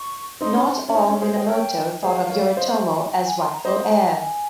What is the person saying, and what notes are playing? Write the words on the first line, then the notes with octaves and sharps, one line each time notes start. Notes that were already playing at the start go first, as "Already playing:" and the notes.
Not all Minamoto thought of Yoritomo as rightful heir.
Already playing: C#6
C4 D#4 C6
C#4
C4
C#4
C4 D#4 A#5
C#4 C6
G#4 C5
C5 D#5 G5
A#4 C#5 G5
G#4 C5 F5
A#4 C#5
C5 D#5
G5
G#5
C6
A#5
C5 D#5 C6
A#5
G#5
G#5